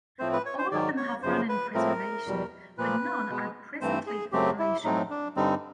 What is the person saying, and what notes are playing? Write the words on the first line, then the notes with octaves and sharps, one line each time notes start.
All of them have run in preservation but none are presently operational.
A2 F3 A3 C4 C5
B4
C#5
C5
G#2 D#3 F#3 D5
C#5
F#2 C#3 F3 C5
B4
A2 F3 A3 C4 A#4
E2 B2 G3
A#2 F3 A#3 B4
B2 G#3 B3
G2 E3 A3 C4 C5
G#4
F#2 C#3 F#3 A3 C4 G4
E4
A2 F#3 A3 C4 D#4
D4
G2 D3 G3 C4 D#4